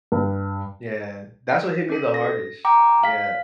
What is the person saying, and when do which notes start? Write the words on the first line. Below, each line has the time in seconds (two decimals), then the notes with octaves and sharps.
Yeah. That's what hit me the hardest. Yeah.
0.12 G2
1.90 C#4 A4
2.14 A#6
2.65 G5 A#5 D6
3.03 F5 B6